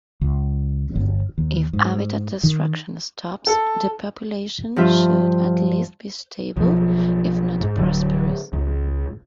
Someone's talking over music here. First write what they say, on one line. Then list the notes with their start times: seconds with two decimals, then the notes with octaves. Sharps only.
If habitat destruction stops, the population should at least be stable, if not prosperous.
0.21 C#2
0.96 G1
1.38 D#2
1.73 G#2
2.43 D#3
3.47 A4
4.76 G2 F3 F4 E5
6.57 B1 F3
7.61 G#2
7.76 D1 A2 D3 F#3
8.53 C#2